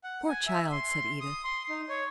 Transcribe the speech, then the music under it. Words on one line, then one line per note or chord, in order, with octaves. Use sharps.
'Poor child!' said Edith.
F#5
G#5
E5
C6
D#6
C6
D#4
C#5